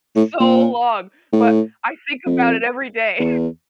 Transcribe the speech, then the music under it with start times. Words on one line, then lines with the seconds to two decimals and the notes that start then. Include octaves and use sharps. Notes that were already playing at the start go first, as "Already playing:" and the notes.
so long, but I think about it every day.
0.16 A2
0.40 A#2
1.33 A2
2.26 F2
3.19 E2